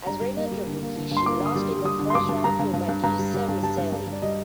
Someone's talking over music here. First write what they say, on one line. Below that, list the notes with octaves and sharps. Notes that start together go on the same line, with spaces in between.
As Reina Jabuki, she lost in the first round to Madusa Miceli.
G2 A#5
G3
A#3
G3
D3
A#3
D3
G2
C6
A#3 D6
D3
D#6
G3
G3
G3 D#6
D3
C6
G2 D6
G2
G2 A#5
G2
G2
G2
G2 A#5
G3
G3
G2
G3 A5
G2
G2
G2 D5
G3 D#5